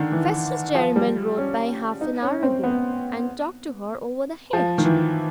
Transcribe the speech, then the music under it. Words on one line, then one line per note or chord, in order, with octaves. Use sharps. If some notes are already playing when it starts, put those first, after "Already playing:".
'Festus Derriman rode by half-an-hour ago, and talked to her over the hedge.'
Already playing: D3 D#3
E3
F3
G3
C#4
D#4
C#4
C4
B3
F3
D#3
E3